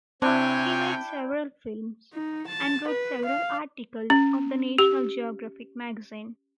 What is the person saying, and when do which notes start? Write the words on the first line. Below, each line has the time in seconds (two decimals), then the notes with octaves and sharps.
He made several films, and wrote several articles for the National Geographic Magazine.
0.22 C3 C4 D4 E4 C#5 G5 G#5
2.14 D#4
2.48 A5
2.88 B4
3.25 F5
4.10 C#4
4.78 G4